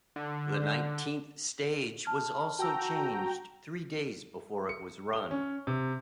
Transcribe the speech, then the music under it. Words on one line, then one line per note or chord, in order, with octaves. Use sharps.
The nineteenth stage was also changed three days before it was run.
D3
A5 F6
F#4 G5 A5 A#5 E6
C#7
G7
C#4
C3